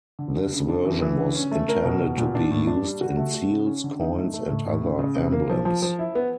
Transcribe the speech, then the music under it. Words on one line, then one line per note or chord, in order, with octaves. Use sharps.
This version was intended to be used in seals, coins and other emblems.
D3
D3
C#3
D4
E3
E3
D3
C#4
A3
A#4
B2
B2
A#2
D4
A2
D4
G3
F#4
A3
F#4
C#3
C#4
D3
D#4
A3
A3
A2
A2
C#3
C#3
C3
A#3
F3
F3
F3
E4
B3